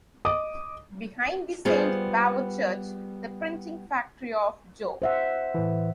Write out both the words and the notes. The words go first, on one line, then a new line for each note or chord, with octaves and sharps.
Behind the Saint Bavochurch the printing factory of Joh.
D#5 D6 D#6
G3 B3 F4 G#4 C5
C5 E5 F#5
A2 E3